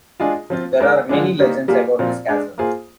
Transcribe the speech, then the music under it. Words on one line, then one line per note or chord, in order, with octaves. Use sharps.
There are many legends about this castle.
G#3 D4 F4 G#4 D#5
F3 C4 F4
G#3 D#4 A#4 D5
D3 F3 G#3 D4
D#3 G3 A#3 D#4
G3 A#3 F4 G#4
A#2 F3 C4 F4
G#3 D4 G#4
A#3 F4 G#4 C5